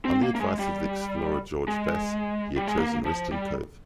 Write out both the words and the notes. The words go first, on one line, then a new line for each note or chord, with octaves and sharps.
On the advice of the explorer George Bass he had chosen Risdon Cove.
C4
A#3
A#3
G#3
G3
G#3
G3
G#3
A#3
F3
G3